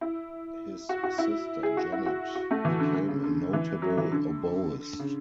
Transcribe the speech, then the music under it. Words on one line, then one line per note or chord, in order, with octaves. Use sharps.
His sister Janet became a notable oboist.
E4
F#4
F#4
E4
G#4
F#4
E4
F#4
F#4
A3
E3
D3
D3
C#3
D3
E3
F#3
E3
D3
C#3